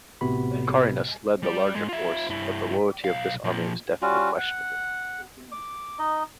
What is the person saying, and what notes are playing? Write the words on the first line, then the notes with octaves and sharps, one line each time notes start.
Carinus led the larger force, but the loyalty of this army was definitely questionable.
A1 A2 C3 B3 F#4 B5
G3 D5
G#2 G#3
F4 E5
G2 E4
B1 F5
A#2 F3
G3 C#4 F4 F#4
F#5
D6
D#4 D#5